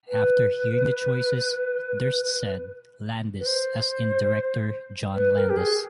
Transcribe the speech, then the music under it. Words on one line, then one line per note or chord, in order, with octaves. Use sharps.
After hearing the choices, Durst said "Landis," as in director John Landis.
B4
B4
C5
B4
A#4
G4
G#4